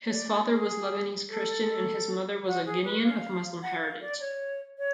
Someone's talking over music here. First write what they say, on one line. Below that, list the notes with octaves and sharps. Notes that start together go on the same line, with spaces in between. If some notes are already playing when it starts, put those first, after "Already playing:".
His father was Lebanese Christian and his mother was a Guinean of Muslim heritage.
C#5
D5
G#4
A4
F#4
G#4
B4
F5
F#5
F5
D5
C#5
C#5